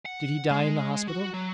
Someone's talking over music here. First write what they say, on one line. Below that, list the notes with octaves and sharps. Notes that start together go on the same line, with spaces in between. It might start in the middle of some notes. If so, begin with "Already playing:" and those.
'Did he die in the hospital?'
F#5
G#3
F#4
F#3